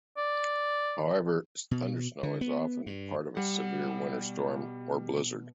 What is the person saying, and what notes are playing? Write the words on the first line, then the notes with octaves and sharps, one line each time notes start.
However, thundersnow is often a part of a severe winter storm or blizzard.
D5
B2
D3
B3
G2
B2 G3 F#5